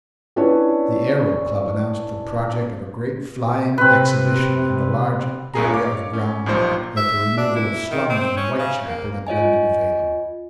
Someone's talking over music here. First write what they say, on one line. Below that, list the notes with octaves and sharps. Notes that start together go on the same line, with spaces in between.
The Aero Club announced the project of a great Flying Exhibition in a large area of ground that the removal of slums in Whitechapel had rendered available.
B3 C#4 D4 E4 B4 C#5
C3 C4 B4
C2 G2 G#4 A#5
C#5 F5 D6
C#4
B1 G2 A#2 F3 C5
E5
D4
E4
D#3
C4
C#4
C#3
A#3
F4 C#5 D#5 G#5